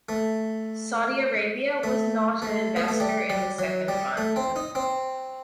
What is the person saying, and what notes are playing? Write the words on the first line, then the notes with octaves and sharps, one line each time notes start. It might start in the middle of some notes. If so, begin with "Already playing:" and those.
Saudi Arabia was not an investor in the second fund.
A3
A3
A3
B3
A3
G3
G3
F#3
G3
A3
C4
D#4
C4